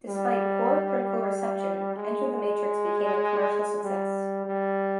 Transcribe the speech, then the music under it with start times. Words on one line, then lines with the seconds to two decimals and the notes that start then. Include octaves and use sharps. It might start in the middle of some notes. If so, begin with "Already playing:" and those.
Despite poor critical reception, "Enter the Matrix" became a commercial success.
0.08 G3
1.96 G#3
2.26 G#3
3.84 G3
4.46 G3